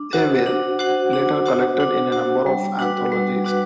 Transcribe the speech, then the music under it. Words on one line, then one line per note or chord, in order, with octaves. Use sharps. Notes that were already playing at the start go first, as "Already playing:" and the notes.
They were later collected in a number of anthologies.
Already playing: D4
F#4 C5 F#5
D4
F#4 C5 F#5
D4
F#4 C5 F#5
D4
F#4 C5 F#5
G3
D4 F#4 B4 F#5
G3
D4 F#4 B4 F#5